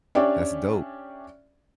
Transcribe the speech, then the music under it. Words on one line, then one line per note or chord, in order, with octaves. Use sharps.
That's dope.
C#4 D4 G4 C#5 D5 E5